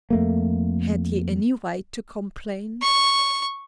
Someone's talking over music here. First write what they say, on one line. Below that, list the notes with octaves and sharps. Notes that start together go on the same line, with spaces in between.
Had he any right to complain?
F2 A3 A#3
C#6